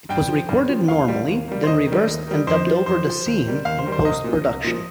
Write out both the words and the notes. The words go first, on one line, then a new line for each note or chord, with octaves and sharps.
It was recorded normally, then reversed and dubbed over the scene in post-production.
G2 G5
F3
G2
F3
D#2 F5
D#3 G3
D#2
D#3 G3
C5
D#2 D#5
D#3 G3
D#2
D#3 G3
F2 C5
F3
F2 C5
F3
D#2
D#3 G3
D#2 F5
C5
D#3 G3
C5
C2 D#5
A#2 F3
C2
A#2 F3